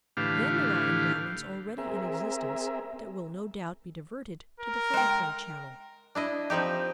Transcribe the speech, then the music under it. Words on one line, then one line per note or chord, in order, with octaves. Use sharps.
Then there are endowments already in existence that will no doubt be diverted to the photoplay channel.
A2 D3 E3 G4 F5
C4 G#4 A#4 E5
A#4
G#3 G5
D4 E4 D#5
F3 C4 D#4 G4